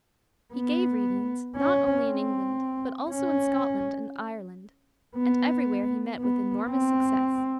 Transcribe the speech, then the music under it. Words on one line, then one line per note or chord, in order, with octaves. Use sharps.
He gave readings, not only in England, but also in Scotland and Ireland, and everywhere he met with enormous success.
B3
C#4
C4
C#4
B3
B3
C4